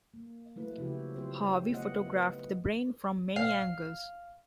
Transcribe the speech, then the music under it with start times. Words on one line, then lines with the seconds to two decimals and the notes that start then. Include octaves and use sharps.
Harvey photographed the brain from many angles.
0.14 A#3
0.56 F#3 A3 E4 B4
0.78 C#3 F3 E4 F#4 G4
1.16 F#3 C4 F4 G4 C5
1.73 A3 B3 D#5 F#5
2.08 B4
3.36 F5